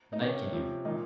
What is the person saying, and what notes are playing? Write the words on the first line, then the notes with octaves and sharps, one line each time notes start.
The night came.
D#4
C3 D#3 C#4
C3 F3
A#2 F3 D#4